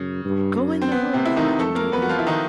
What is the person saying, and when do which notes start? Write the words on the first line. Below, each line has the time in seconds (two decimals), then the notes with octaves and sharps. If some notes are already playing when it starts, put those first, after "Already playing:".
"Go in the room, we're watching Dirty Harry."
Already playing: F#2 C#3
0.24 G2
0.58 F#2
0.82 C4
0.92 B3
1.13 C3 C4
1.26 E4
1.36 D#3 D#4
1.59 F2 A3 A4
1.75 A#3 A#4
1.92 F2 B3 B4
2.02 F#4
2.09 F3 F4
2.19 E4
2.27 D#3 D#4